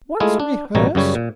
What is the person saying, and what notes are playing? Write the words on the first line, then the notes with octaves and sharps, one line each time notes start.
"What's rehearse?"
G#3 A3 E4 F4 G#4
D4
A1 B2 G3 C#5 A#5
F#2 C#3 G3 C#5
A#2